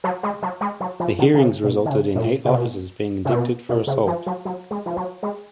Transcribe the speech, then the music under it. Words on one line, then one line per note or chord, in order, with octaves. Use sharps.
The hearings resulted in eight officers being indicted for assault.
F#3
G#3
F#3
G#3
F#3
F3
D#3
D#3
C#3
B2
D#3
C#3
A#2
C#3
B2
C#3
B2
B2
C#3
F3
F#3
F#3
G#3
F3
F#3
G#3